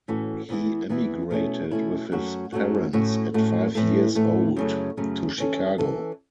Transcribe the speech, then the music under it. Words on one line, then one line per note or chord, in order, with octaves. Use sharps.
He emigrated with his parents at five years old to Chicago.
A2 E3 C#4 F#4 A4
E2 E3 B3 E4
E2 E3 B3 E4
B2 A3 C#4 E4
B2 A3 C#4 E4
F#2 F#3 A3 F#4
F#2 F#3 A3 F#4
A2 A3 C#4 F#4
A2 A3 C#4 F#4
A2 E3 A3
A2 E3 A3
F#2 C#3 A3
F#2 C#3 A3
E3 C#4 A4
E3 C#4 A4